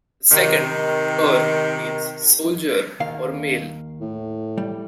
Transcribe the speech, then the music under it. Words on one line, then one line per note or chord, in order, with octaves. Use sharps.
The second, "er" means soldier or male.
C3 D#3
D#2 D#3 F5
A2
G3